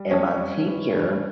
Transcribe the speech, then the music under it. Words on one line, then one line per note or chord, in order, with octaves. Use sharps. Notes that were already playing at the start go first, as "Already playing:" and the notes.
and my teacher
Already playing: G3
F2 C#4 C#5
G3
E3
G2